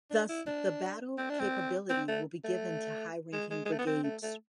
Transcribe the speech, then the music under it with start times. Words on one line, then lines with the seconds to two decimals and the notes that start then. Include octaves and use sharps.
Thus the battle capability will be given to high-ranking brigades.
0.11 D4
0.29 E4
0.47 D4
1.18 C4
1.30 D4
1.40 C4
1.90 C4
2.08 A3
2.44 A3
3.33 G#3
3.51 G#3
3.65 G#3
3.72 A3
3.79 B3
3.87 C4
4.04 A3
4.23 A3